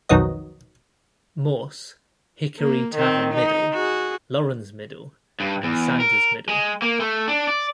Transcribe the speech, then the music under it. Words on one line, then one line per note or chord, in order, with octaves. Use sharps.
Morse, Hickory Tavern Middle, Laurens Middle, and Sanders Middle.
B1 F2 D#3 F#3 B3 D#5
A#3
D#3 C4
D#4
F#4 G#4
G2
E2
A#4
G#3
A#3
A3
D4
D5